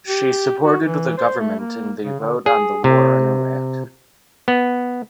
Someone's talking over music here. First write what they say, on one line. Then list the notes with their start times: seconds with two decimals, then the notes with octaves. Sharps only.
She supported the Government in the vote on the war in Iraq.
0.07 G4
0.63 F#4
0.84 E3
1.18 C5
1.39 A3
1.59 A#3
2.03 C#3
2.20 D3
2.46 G#4
2.84 C3
4.48 B3